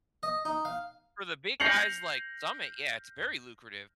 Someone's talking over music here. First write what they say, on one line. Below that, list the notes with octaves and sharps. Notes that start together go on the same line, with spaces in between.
For the big guys, like Summit, yeah, it's very lucrative.
D#5
D#4
F5
G6 A#6 C7 C#7 F7 F#7